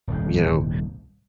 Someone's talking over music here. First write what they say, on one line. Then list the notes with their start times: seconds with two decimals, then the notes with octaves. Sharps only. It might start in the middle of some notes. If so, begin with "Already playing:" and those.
you know
0.07 D#1 C2 G#2